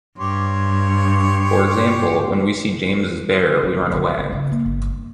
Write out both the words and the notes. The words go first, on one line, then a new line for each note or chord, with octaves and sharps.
For example, when we see James's bear, we run away.
G2 G4 C#5 C6
B2
D2
D3
A1
C#3
A#3
G1
G2